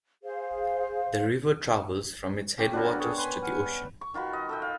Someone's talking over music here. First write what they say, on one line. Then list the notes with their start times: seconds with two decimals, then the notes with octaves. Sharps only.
The river travels from its headwaters to the ocean.
0.23 G#4 C5 F5
2.58 C#3 G4 C#5
2.73 D3 B3 D4 F#4 A#4 C#5
3.00 G#4 A4 C#5 D#6
3.18 B4 G#5 C6
3.42 F#5 G#5 F6
4.01 C#6
4.14 D#3 F4 F#4 B4
4.33 D#5
4.49 A4 D#5 G5
4.62 F5